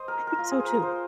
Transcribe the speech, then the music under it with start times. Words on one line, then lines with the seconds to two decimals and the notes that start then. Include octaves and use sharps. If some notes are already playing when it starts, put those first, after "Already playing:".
I think so too.
Already playing: C5 D#5
0.08 A#4
0.27 A#4
0.39 F4
0.51 G#4
0.60 A#4 C5
0.82 C5